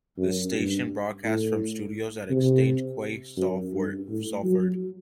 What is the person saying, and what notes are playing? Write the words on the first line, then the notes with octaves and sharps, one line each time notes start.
The station broadcasts from studios at Exchange Quay, Salford.
F#2
G2
A2
C3
F#2
G2
A2
F#3